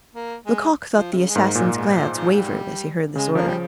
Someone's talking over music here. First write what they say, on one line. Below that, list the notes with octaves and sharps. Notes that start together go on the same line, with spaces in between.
Lecoq thought the assassin's glance wavered as he heard this order.
A#3
G#3
F3
C3
C#3
G#3
G#2 A#3
A#2 G#3
G#3
F3
F3
G3
C#3 G#3
F3 A#3
G3